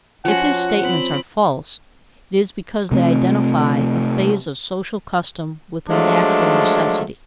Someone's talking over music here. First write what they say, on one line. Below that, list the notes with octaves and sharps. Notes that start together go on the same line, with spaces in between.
If his statements are false, it is because they identify a phase of social custom with a natural necessity.
F3 C#4 F#4 F#5
C4 B5
C3 A3 C4
F3 F#3 G#3 A3 D4